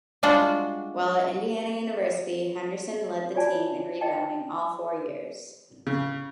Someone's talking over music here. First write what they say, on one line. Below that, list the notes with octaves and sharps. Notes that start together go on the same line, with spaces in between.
While at Indiana University, Henderson led the team in rebounding all four years.
G3 G#3 D4 F4 F#4 F#5
F4 F#4 C#5 D5 G#5 A5
E4 D#5 G5 A5
C#3